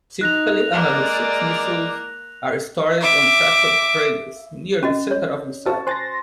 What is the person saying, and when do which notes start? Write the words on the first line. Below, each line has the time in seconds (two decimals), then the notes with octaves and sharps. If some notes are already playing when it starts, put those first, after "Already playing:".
Typically another six missiles are stored on tractor-trailers near the center of the site.
0.21 D#4 F#6 A#6 F7
0.73 G#3 A#3 D5
3.02 E5 D6
4.83 C#4 F#4 D#5
5.11 C#5
5.66 F#4 C5 A5
5.87 C5 G#5 C6 A6 A#6